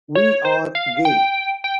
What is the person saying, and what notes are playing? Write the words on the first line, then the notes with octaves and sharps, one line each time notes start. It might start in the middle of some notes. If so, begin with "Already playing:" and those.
We are gay.
C#5
C5
F5
G5
G5